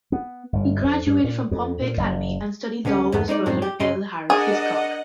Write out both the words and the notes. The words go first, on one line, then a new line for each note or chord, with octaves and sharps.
He graduated from Pompey Academy and studied law with his brother L. Harris Hiscock.
B3
G1
F2
G2
A#2
F2
A#2
F#1
C#2 D3 B3 C#4
E2 G2 D#3 A3 B3
G#3 D#4 C5 D5
F#2 A2 D#3 G#3 C4 D4
G4
F#2 C#3 D#5 C6
D4 G#4 A#4 D#5 F#5